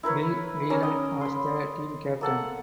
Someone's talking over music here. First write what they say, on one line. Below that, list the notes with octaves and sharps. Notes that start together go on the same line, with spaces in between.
Bill Whelan was the team captain.
E4 A#4 B4 C#5
C#4 A#4 D5
D#5
B5 C6
A#3 A4 F#5